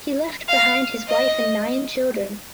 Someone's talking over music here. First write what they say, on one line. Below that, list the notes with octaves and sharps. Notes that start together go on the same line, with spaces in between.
He left behind his wife and nine children.
F5
D#5